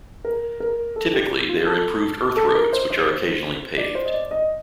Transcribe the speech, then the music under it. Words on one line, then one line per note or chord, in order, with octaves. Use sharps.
Typically they are improved earth roads which are occasionally paved.
A#4
A#4
A4
G4
F4
A4
A4
A#4
C5
C5
D5
C5
D#5
D5
D#5